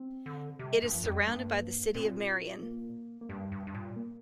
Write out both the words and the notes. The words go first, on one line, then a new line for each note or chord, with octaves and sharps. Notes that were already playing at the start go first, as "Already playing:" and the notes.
It is surrounded by the city of Marion.
Already playing: C4
D3
C3 G3
A#3
G2
F3
F2 A#3
G3
G2 A#3
A#2 C4
A#3
A#3
G2 G3
G2
G2
A#2
A#3